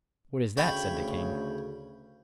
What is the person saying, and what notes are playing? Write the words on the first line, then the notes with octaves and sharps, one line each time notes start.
"What is that?" said the king.
D2 C#3 A3 C#5 G5 B5